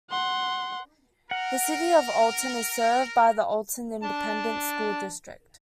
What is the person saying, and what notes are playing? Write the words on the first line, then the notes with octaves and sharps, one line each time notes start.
The City of Olton is served by the Olton Independent School District.
F#5 C6
A#4 F#5
D4 A5